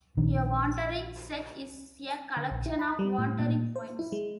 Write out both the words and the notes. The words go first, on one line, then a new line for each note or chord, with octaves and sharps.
A wandering set is a collection of wandering points.
A#1 D#3 D4
D3
A#1
E4
B5
G3
A2
A#2
C5
E4
G#3